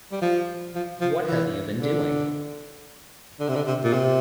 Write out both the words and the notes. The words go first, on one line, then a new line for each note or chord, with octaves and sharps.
What have you been doing?
G3
F3
F3
F3
E3
D3
D3
C3
D3
C3
A#2
C3